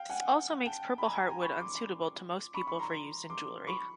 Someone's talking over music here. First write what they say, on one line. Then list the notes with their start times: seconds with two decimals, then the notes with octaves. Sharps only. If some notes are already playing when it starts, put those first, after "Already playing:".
This also makes purpleheart wood unsuitable to most people for use in jewelry.
Already playing: F5 G5
0.09 F#5 G#5
0.66 G5 A5
0.98 B5
1.04 G#5 A#5
1.16 G#5 A#5
1.29 G#5 A#5
1.41 B5 C#6
1.60 C6 D6
2.54 B5 C#6
2.67 B5 C#6
2.79 A#5 C6
3.30 C6 D6
3.67 B5 C#6